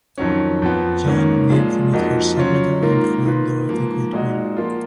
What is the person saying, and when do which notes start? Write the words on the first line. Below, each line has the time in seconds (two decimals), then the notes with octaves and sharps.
Jean lived with her secretary and friend Dorothy Goodwin.
0.18 F2 D#3 F#3 C#4
0.62 F2 F3 B3
1.06 G#2 D#3 A#3 C#4
1.50 A#2 F3 G#3
1.93 F2 F3 A#3 D#4 F#4
2.37 F#3 C#4 F4
2.81 G#2 D#3 A#3 F4 A#4
3.25 D#3 A#3 F4 B4
3.69 G#2 F3 A#3
4.13 A#2 G#3 D#4 F#4
4.57 F3 A#3 F4